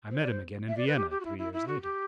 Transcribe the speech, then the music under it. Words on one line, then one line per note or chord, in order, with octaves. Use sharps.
I met him again in Vienna three years later.
C5
D5
C5
E5
D5
B4
G4
G4
F#4
E4
E4
E4
F#4
G4